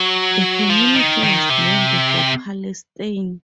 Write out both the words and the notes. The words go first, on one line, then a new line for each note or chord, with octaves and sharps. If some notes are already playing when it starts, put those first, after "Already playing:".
The community was named for Palestine.
Already playing: F#3
F3
D#3
D#3
C3